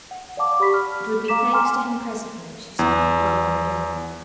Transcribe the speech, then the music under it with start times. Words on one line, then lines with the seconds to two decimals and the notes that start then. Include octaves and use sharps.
It would be thanks to him presently if she saw her father again.
0.11 F#5
0.37 D5 F5 F#5 A5 D6
0.60 G4 D5 B5 C#6 B6
0.74 F6
1.28 F5 A#5 D6 B6 E7
1.52 G5 G#5 A#5 C6 D6 F6
2.79 E2